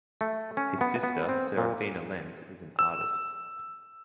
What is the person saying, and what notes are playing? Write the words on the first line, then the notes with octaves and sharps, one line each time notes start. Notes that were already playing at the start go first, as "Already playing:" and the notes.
His sister Seraphina Lenz is an artist.
A3
C#4
B3
B3
C4
A#2
E6